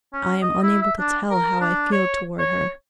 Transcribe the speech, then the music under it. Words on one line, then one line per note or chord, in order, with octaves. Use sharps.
I am unable to tell how I feel toward her.
C#4
D#5
E4
E5
D4
A#4
D4
C#5
C#5